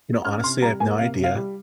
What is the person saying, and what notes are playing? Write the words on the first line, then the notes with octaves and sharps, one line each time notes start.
You know, honestly, I have no idea.
C#4 F6
C3 C6
G3 A#5
A#3 G#5
C3 F5
C3
F5
G3